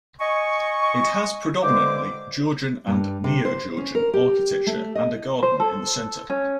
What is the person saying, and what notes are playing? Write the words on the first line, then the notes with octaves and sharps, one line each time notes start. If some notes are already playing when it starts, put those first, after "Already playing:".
It has predominantly Georgian and Neo-Georgian architecture and a garden in the centre.
D#5 G#5 C#6
G2 D3 G#3 C5 D6
G2
C3
C5
C#4
A#4
G4
A3
D#5
C5
A4
C#4